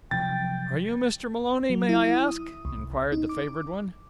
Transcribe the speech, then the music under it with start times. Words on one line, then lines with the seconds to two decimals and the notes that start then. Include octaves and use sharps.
"Are you Mr. Maloney, may I ask?" enquired the favored one.
0.11 C3 F3 F#3 G5 A6
1.70 F#3
1.89 E4
2.28 D#6
2.65 C2
3.12 D#4
3.29 D6